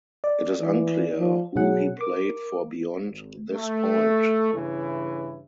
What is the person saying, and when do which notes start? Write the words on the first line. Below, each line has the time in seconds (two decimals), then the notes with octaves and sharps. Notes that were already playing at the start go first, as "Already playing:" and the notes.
It is unclear who he played for beyond this point.
0.24 D5
0.60 E3
1.19 F3
1.56 B2 F#3 G#4 F#5
2.01 A#4 D6
3.02 G#1
3.52 A3
4.52 G2 C#3 E3 E4